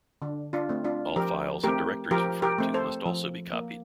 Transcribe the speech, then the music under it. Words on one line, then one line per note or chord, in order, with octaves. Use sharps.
All files and directories referred to must also be copied.
D3 D4
D4 F4
A3 C4
D4 F4
F3 G4 A#4
A3 C4 G4 A#4
F3 G4 A#4
G4 A#4
A3 C4
A4 C5
F3
A#3